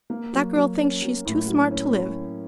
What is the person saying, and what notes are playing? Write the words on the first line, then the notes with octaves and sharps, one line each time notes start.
That girl thinks she's too smart to live.
A#3
F#3
F#3
C#4
F#3
A2
F#3
C#4
F#3